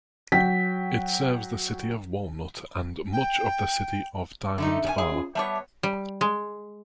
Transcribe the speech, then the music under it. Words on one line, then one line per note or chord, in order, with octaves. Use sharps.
It serves the city of Walnut and much of the city of Diamond Bar.
F#3 G5 B6
G5
D3 A3 D#4 E5
C#4 D4 G#5
G#4 E5
C#4 F4
G3 B3 C#5 E5 A5 D6
G3
G#3